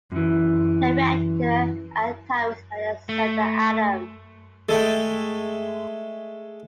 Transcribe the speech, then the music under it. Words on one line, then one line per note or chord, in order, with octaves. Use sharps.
The rector at the time was Alexander Adam.
F#2 E3
A3
G#3 A3 A4 G5